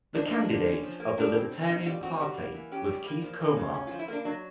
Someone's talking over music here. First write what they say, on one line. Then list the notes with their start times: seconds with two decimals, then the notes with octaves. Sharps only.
The candidate of the Libertarian Party was Keith Komar.
0.14 F3 D4
0.26 D#4
0.32 A#3
0.38 D4
0.49 D3
0.66 C#4
0.83 F3
1.00 A#3
1.17 G3 D4
1.35 C4
1.51 B2
1.69 B2 D#4
1.86 G3 F4
2.03 C4 F#4
2.20 G3 F#4
2.37 A#3
2.54 E3
2.72 C#4 G4
2.88 G3
3.06 A#3
3.22 F3
3.40 A#3
3.57 C#3
3.74 C#4
3.87 F4
3.91 F3
3.99 E4
4.08 A#3 D4
4.25 F#3 D4